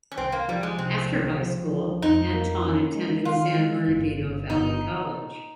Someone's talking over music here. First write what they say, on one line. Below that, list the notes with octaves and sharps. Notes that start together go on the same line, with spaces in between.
After high school, Anton attended San Bernardino Valley College.
C#4
C2 C4
A#3
F3 G3
G#3
C3 C4
C2
F3
F3
F2 D#4
A#3
C#4
G#3
D#3 F4
G#3
G1
G1
G1 D#4